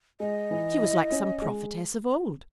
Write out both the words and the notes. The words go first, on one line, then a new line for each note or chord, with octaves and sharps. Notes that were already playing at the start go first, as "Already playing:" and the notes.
She was like some prophetess of old.
G#3 D#5
E3
E4
C#4
G#3